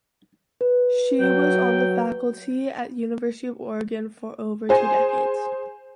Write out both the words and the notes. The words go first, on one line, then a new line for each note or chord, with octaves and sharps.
She was on the faculty at University of Oregon for over two decades.
B4
F#3 G5
G#4 C5 G#5